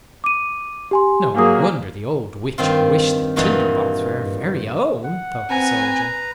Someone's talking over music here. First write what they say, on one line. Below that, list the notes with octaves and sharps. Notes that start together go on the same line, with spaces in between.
"No wonder the old witch wished the tinder-box for her very own," thought the soldier.
D6 D#7
G4 G#5 C6
F#3 A#3 G#4 G#5 D#6
G2 D#3 C4 F4
G2 A#2 E3 D#4 F4 F#4
F#5
C4 B4 G#5 A#5